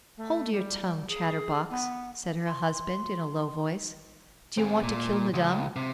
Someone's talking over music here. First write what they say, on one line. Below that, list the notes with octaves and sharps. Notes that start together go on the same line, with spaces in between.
"Hold your tongue, chatterbox," said her husband, in a low voice; "do you want to kill madame?"
A3
G3
G#4
B3
C6
C4 G#4
A#2
C#2
C3